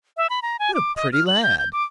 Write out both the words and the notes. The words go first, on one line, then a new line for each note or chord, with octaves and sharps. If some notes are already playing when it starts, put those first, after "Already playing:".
"What a pretty lad!"
E5
B5
A#5
G#5
D6
D#5
F6
F#7
G6
G6
D6